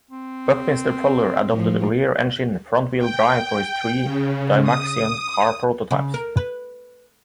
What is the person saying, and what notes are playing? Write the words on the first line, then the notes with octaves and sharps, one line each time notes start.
Buckminster Fuller adopted rear-engine, front wheel drive for his three Dymaxion Car prototypes.
C4
A2 F3
G5
C#3
D#6
C#3
A#4
B4